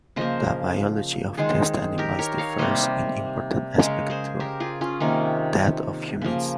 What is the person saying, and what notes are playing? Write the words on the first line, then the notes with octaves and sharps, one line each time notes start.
The biology of test animals differs in important aspects to that of humans.
C#3 F3 A#3 C5 D#5
D#3 G#3 G#4 C5
G4 A#4
A#4 C#5
C#5 F5
C3 G3 A#3 C5 D#5
C#3 G#3 A#4 C#5
G#4 C5
G4 A#4
F4 G#4
C#4 F4
C3 D#3 A#3 C#4
C#3 F3 A#3